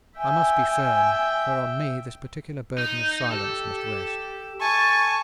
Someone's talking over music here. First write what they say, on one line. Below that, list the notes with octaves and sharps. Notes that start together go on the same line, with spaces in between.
I must be firm, for on me this particular burden of silence must rest.
E5 G5 G#5
D#4 G6
G4 A4
G#5 A5 C#6 A6